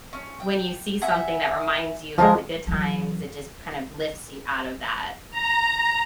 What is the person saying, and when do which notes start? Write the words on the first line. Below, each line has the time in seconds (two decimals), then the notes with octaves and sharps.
when you see something that reminds you of the good times, it just kind of lifts you out of that,
0.13 C#4
0.40 G5
1.01 E5 F#5 G#5
2.18 F3 G#3 F4 A#4 D#5
2.67 F#2 E3
5.30 A#5